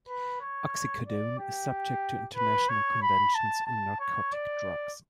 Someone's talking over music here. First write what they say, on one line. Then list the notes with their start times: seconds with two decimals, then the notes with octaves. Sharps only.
Oxycodone is subject to international conventions on narcotic drugs.
0.08 B4
0.41 C#5
1.07 D5
1.39 G4
2.37 B4
2.69 C#5
3.02 B5
3.35 A5
3.67 A5
4.00 C#5
4.33 D5